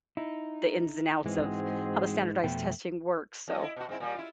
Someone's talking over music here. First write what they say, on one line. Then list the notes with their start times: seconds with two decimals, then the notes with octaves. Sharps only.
the ins and outs of how the standardized testing works, so
0.17 D#4 E4
1.26 G#2 E3 G#3 C4 F#4 G#4
2.44 F2 B2 A3 G5
3.48 F2 D#5
3.63 E4
3.76 B2 F#4
3.89 G#2 C4 E4
4.00 A#2 G3
4.15 E4 F4